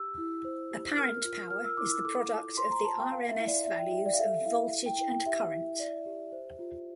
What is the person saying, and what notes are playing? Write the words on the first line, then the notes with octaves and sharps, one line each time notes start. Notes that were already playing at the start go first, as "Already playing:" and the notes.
Apparent power is the product of the rms values of voltage and current.
Already playing: G4 E6
E4
C5
G4
A#4 F6
F4
A#4 F6
E6
E4 D6
E6
A4 D6
F4
C5 C6
A#5
F4 A5
G5
A#4 F5
E5
E4
D5
D5 E5
G5
G4 E5
D5
F5
A4 E5
E4 F5
A4
G5
E4 G5
G5
G4 E5
E4
D5
G4
C5
F4